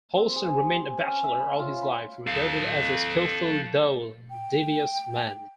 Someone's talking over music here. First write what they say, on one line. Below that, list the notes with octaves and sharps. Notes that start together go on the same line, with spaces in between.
Holstein remained a bachelor all his life, regarded as a skillful though devious man.
C4
G#4
G4
G#5
C#4
E5
B5
F4
B5
A4 F5
G5